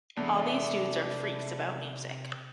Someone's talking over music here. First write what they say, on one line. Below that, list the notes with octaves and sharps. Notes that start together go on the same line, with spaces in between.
All these dudes are freaks about music.
E2 C3 G#3 A3 D4 E4